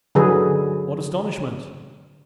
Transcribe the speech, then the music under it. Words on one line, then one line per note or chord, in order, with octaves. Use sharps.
What astonishment!
D3 F#3 G#4 B4